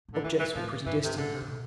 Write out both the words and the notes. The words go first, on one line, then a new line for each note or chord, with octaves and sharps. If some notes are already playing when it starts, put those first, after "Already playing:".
Objects were pretty distinct now.
A2
D3
F2 E3
E3
A2 F3
G2 E3
C3
A2 D3
A2
B2